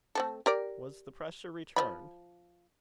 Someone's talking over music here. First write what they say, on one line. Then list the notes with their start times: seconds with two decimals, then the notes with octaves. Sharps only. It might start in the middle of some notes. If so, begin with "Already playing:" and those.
Was the pressure returned?
0.15 A3 C4 A4
0.46 G4 A#4 D5
1.76 F3 E5 B5